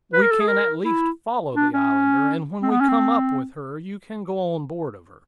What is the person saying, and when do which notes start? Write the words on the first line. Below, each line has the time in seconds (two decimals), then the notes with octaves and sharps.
"We can at least follow the Islander, and when we come up with her you can go on board of her."
0.13 B4
0.22 A#4
0.31 A4
0.40 G#4
0.48 A#4
0.85 E4
1.55 D4
1.73 C#4
2.62 C4
2.71 B3
2.80 C#4
2.88 C4